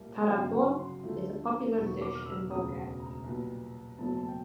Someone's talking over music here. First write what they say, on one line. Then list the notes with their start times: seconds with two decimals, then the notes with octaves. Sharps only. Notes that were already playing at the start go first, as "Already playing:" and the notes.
Tarator is a popular dish in Bulgaria.
Already playing: C2 A#2 G3 A#3
0.29 G1 F#2 C#3 F#3 F5
0.43 G5
0.54 F#5
0.79 C6
1.04 D2 D3 F3 A3
1.77 E1 D#2 D#3 C#6
2.02 D6
2.15 F6
2.26 E6
2.50 E1 D2 C#3 D#6
3.00 A#5
3.24 B1 A#2 G3 B3
3.98 F#1 E2 B2 F#3 A3 A5
4.17 A5
4.28 G5